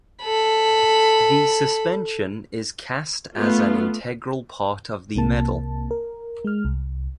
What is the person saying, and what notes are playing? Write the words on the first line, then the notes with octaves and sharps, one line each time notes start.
The suspension is cast as an integral part of the medal.
A4 B5
A3 B3 F4
C2 C3 A#3 A5
A#4
G#3 F6
C2